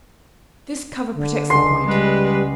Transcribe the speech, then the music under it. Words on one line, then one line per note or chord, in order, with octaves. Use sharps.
This cover protects the point.
D3
C#2 C6
G3 G#3 B3 B4